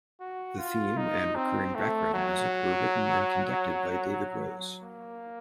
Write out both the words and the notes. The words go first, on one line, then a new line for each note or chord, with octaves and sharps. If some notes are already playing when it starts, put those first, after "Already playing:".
The theme and recurring background music were written and conducted by David Rose.
F#4
F4
D#4
C4
A3
F#3
A#3